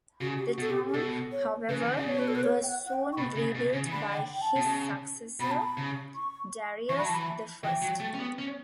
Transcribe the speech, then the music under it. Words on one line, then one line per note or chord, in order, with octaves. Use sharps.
The town, however, was soon rebuilt by his successor Darius the First.
C#3 F#4
G4
F#4
B2 A4
G4
G4
B2 A4
C#5
C#3 B4
E3
D3
C#3 D5
B2 C#5
B4
A4
B4
C#5
G5
F#5
F#5
G5
C#6
B2 B5
C#3
B2
C#3
E3
D3 B5
F#5
G5
G5
A5
B2
C#3
B2 B5
A5
B5
C#3
C#6
E3 C#6
F#3 B5
E3 A5
B5
E3 G5
F#3
A3
C#4
B3
C#4